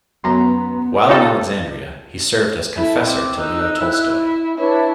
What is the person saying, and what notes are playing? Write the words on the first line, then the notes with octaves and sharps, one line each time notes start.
While in Alexandria, he served as confessor to Leo Tolstoy.
F#2 B3 A#5 C6
D#4 F4 G4 A4
E4 A4
C4 D6
D#4 E6 F#6
E4
D4 E4 B4 C#5